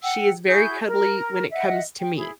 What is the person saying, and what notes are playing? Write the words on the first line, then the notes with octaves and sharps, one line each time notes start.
She is very cuddly when it comes to me,
F#5 G5 E6
E4 F#4 G#4 G6
A#4
D#5 E5 F#5
G5
E4 G#4